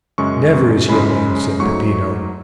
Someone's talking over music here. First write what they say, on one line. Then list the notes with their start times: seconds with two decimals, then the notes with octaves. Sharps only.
"Never is he alone," said Peppino.
0.18 F#2 C#3 G#3 C#6
0.88 F#2 C#3 G#3 B5
1.60 G#2 F#3 A3 C#6